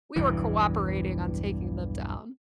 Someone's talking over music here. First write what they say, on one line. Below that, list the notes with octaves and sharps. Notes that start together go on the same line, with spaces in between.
We were cooperating on taking them down.
B1 E2 G2 E3